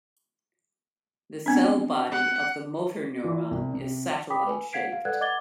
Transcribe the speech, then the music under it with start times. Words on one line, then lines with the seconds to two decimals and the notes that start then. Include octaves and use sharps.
The cell body of the motor neuron is satellite-shaped.
1.46 B3 C4 D4
2.12 F#5
3.24 E3
3.51 C2
3.73 C3
4.30 G5 B5 D6 D#6 B6
4.47 B4 G#5
4.73 F5 F#5 G#6 B6 C7 D7
4.92 F5
5.05 A4 B4 D5 F#5 F#6 G#6
5.21 D#5 F#5 D6 G#6 A6 G7